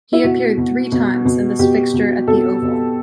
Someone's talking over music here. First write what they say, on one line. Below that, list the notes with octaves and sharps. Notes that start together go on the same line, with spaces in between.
He appeared three times in this fixture at the Oval.
E4
B2 F#4
B2
B2
B2
B2 G4
B2
B2 A4
B2